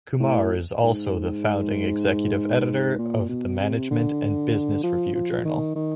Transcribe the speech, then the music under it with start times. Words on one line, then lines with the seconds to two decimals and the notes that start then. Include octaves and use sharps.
Kumar is also the Founding Executive Editor of the Management and Business Review journal.
0.20 A2
0.83 G#2
2.98 A#2
3.29 B2
3.60 C3
3.91 D3
4.83 F3
5.14 F3
5.45 D#3
5.75 D#3